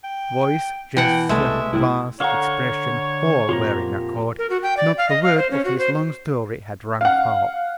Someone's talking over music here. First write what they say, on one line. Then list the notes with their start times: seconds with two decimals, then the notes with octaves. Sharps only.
Voice, gesture, glance, expression, all were in accord; not a word of his long story had rung false.
0.04 G5
0.97 B2 E3 F#5 G5
1.29 C2 G#3 A3 E5
1.73 C2 A2 E4
2.20 D3 A4 C#5 F5 F#5 A#5 C#6
3.49 F2 A#2 F4 G4 A#4
4.39 A#4
4.50 F#4
4.63 G5
4.77 D5
4.97 F5
5.09 D#5
5.23 F5
5.38 C5
5.51 C#4
5.65 F#4
5.79 C5
7.01 F5 F#5